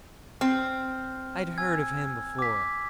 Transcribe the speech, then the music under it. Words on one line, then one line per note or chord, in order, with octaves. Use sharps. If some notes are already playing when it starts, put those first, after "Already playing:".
I had heard of him before.
C4 F6
G#5 E6 G#6
D6 B6